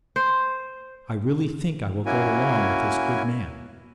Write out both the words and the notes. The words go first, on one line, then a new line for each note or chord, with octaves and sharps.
I really think I will go along with this good man.
C5
A#3 C#4 E4 F#4 G#5